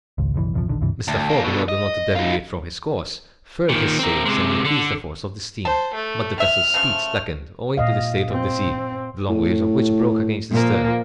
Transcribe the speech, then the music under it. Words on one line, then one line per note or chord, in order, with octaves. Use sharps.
Mr. Fogg, in order not to deviate from his course, furled his sails and increased the force of the steam; but the vessel's speed slackened, owing to the state of the sea, the long waves of which broke against the stern.
G#1 C#2
F#1 B1 B2 E3
A#1 E2 C3 F3
E1 A#1 D3 D#3
C#2 G2 C3 E3
D2
A#3 D4
B2 D3
D#5
D#4 F4
A#2 D#3
C4 A#4
C3 G#3
D3
C5 A5
A3
E5 F6
C#3 F3 A3
A#2 D#5 F5
C4
A2
A#2 F3 A#3